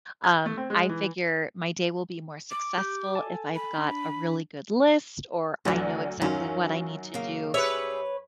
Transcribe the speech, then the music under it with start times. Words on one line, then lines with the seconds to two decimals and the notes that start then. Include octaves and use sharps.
um, I figure my day will be more successful if I've got a really good list or I know exactly what I need to do
0.24 G#6
0.46 A3
0.58 C4
0.70 G#3
0.89 E3
2.51 D6
2.78 G4 G6
3.15 A4 G#5 A5
3.56 B5
3.78 D4
5.65 D2 D3 E3 F#3 D5
6.22 F#2 D#3 F#3 C#4 F4
7.14 C#3 A#3
7.54 G3 G#4 B4 C#5 E5